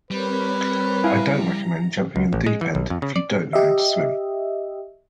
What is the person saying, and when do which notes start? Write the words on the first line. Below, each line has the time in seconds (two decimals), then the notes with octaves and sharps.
I don't recommend jumping in the deep end if you don't know how to swim.
0.11 G3 C4 A#4 B4 C#5
1.04 E4 F5 G#5 A#5
2.16 C#2
2.33 A1
2.46 G#3
2.61 E3
2.75 B1
2.90 F2
3.02 C#3
3.16 D5
3.53 G4 D#5 E5